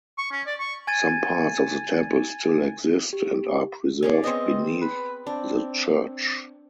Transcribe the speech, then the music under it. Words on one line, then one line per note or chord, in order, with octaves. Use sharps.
Some parts of the temple still exist and are preserved beneath the church.
C#6
C#4
D5
C#6
G#5 G#6 A6 D#7
G4
C#4 G#4 D5
B3 C4 D#5
B4
C4 D4